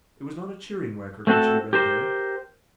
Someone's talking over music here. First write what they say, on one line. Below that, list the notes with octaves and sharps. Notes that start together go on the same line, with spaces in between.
It was not a cheering record which he read there.
A3 C4 F#4 G#4 A4
G4 A#4 C5